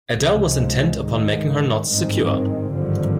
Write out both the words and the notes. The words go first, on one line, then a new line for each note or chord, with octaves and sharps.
Adele was intent upon making her knots secure.
C#2 C3 F3 G#3
G#2 D#3 G#3
G#1 G2 D#3 G#3 C4
G#1 G2 D3 F3